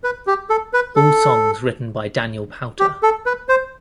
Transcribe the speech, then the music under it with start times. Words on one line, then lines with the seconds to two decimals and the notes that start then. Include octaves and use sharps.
All songs written by Daniel Powter.
0.04 B4
0.27 G4
0.50 A4
0.73 B4
0.96 A4
2.80 G4
3.03 A4
3.26 B4
3.49 C5